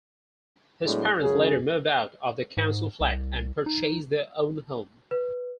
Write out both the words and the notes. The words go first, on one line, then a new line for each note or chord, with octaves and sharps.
His parents later moved out of their council flat and purchased their own home.
A2 F#3 G#3 B3 D4
C#2 F#2 C#3 G#4
G#2
C2
D#4
B4